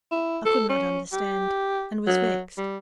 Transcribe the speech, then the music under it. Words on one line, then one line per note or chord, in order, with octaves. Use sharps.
I could not understand, and was vexed.
E4
A4
C#4
G4
F#3
G3